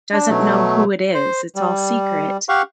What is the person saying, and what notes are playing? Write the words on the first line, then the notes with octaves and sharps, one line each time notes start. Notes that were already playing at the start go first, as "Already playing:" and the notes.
doesn't know who it is, it's all secret,
D4
B2 F#3 A3
C5
G3
G4 F5 F#5 C#6